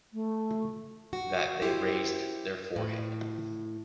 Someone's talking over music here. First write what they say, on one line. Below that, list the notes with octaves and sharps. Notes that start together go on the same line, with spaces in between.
That they raised their forehead.
A3
F#4
E4 G4 C5
A2